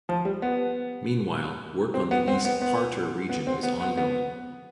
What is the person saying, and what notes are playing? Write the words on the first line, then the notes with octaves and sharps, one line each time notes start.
Meanwhile, work on the East Parterre region is ongoing.
F3
G3
B3
C4
B3
C4
B3
B3
B3
C4
B3
B3
B3